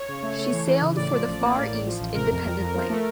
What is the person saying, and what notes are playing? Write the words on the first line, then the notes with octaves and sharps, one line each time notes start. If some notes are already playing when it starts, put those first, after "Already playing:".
She sailed for the Far East independently.
Already playing: C#5
C#3
A3
A3
E3
E3
C#3
A2 D5
F3
A1
A#3
A2
A1
F3
A1
C3 A#4
F2
F2
F2
F3
A3